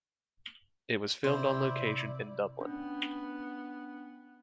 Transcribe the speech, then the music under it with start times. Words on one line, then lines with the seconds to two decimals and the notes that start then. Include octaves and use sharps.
It was filmed on location in Dublin.
1.24 C3 E4 C5 D5
2.60 B3 C#4 D4